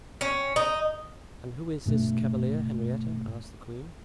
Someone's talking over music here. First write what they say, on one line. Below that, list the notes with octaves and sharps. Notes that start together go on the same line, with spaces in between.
"And who is this cavalier, Henrietta?" asked the queen.
C#4
D#4
G2 B2 A3